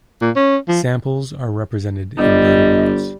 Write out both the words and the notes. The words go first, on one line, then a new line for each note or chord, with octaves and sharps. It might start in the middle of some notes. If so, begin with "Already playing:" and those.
Samples are represented in data words.
A#2
C#4
F3
G1 G3 D#5